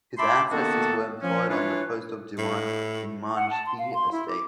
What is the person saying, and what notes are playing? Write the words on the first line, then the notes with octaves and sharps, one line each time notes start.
His ancestors were employed on the post of Diwan in Manjhi estate.
E5 A5 B5 C6 D6
D#3 A#3 B3 F#4 A4
F3 C#4
E3 D4 F4 B4 C#5
A2
F#5
A5
C6
F5
C6
E4
D6